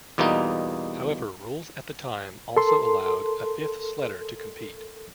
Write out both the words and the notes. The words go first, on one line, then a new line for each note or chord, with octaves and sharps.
However, rules at the time also allowed a fifth sledder to compete.
E2 B2 G3 A#3 D#4
A4 A#4 C6